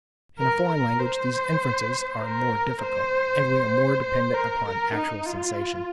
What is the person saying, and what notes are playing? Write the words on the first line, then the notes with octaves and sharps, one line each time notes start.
In a foreign language, these inferences are more difficult, and we are more dependent upon actual sensation.
A#4
A#4
C5
A#4
C5
C5
A#4
A#4
D#4
F4